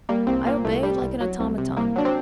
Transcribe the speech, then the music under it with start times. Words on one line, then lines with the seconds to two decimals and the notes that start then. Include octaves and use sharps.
I obeyed like an automaton.
0.09 G3 A#3
0.27 C2 C4
0.46 A#2 A#3
0.65 C2 A3
0.83 G3
1.02 C2
1.21 F#3
1.40 C2
1.58 C3
1.77 C2 A#3
1.96 F#3 D4
2.05 C4